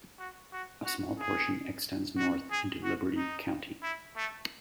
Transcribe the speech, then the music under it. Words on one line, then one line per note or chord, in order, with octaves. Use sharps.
A small portion extends north into Liberty County.
F#4
F#4
F#4
G#4
F#4
G#4
F#4
D#4
E4
A3